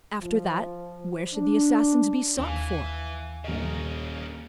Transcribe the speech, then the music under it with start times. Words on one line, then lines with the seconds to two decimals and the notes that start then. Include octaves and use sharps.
After that, where should the assassins be sought for?
0.21 F3
1.33 D4
2.38 D#2 E3 F5 G#5
3.44 D#1 C#3 A#4 D#5